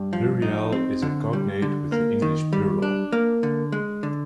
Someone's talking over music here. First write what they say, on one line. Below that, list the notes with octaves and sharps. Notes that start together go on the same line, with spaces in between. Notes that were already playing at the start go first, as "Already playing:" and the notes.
Pluriel is a cognate with the English "plural".
Already playing: G2
F3
D#4
C4
D3
G3
D3
A#3
D#3
G3
D4
A#3
D3
G#3
D3